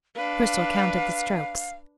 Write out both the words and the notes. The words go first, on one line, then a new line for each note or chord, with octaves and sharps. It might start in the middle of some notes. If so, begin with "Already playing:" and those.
Cristel counted the strokes.
D4 B4 F5